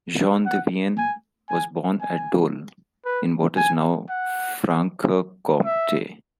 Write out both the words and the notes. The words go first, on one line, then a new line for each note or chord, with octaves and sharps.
Jean de Vienne was born at Dole, in what is now Franche-Comté.
F#5
G#5
G#5
G#5
B4
G#5
F#5
E5